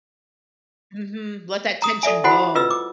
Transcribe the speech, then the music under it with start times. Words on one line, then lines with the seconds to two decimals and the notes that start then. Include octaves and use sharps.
Mhm, let that tension go.
1.82 A#5 D#6
2.03 A4 D5 E5 G#5
2.24 E4 F#4 C5 F#5 G#5 B5
2.55 F4 B4 D#5 E6
2.71 D6